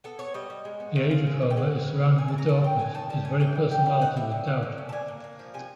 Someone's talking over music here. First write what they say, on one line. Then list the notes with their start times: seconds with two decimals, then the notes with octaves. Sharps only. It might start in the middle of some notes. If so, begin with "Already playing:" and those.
The age of Homer is surrounded with darkness, his very personality with doubt.
0.04 B3 A4
0.19 B3 C#5
0.34 G3 D#5
0.50 G3
0.65 G#3
0.80 B3
0.96 D#3 E5
1.10 G#3 F5
1.26 G#3
1.42 G#3
1.50 G5
1.57 G#3 F#5
1.72 C3
1.87 C#3
2.03 C#3
2.18 E3 G#5
2.28 A5
2.33 C#3 A#5
2.48 B2 A5
2.64 C4 G5
2.79 B2 G#5
2.94 D#4 A5
3.10 G3 A5
3.25 A2 G#5
3.40 E3 G5
3.55 G3
3.71 D3 G5
3.86 G3
4.01 D#4 F#5
4.17 G3 E5
4.32 D3
4.47 C#4
4.63 D3
4.78 C#4
4.89 A5
4.92 D4 G#5
5.08 A#3
5.24 A#3
5.39 F3
5.54 C3 G#5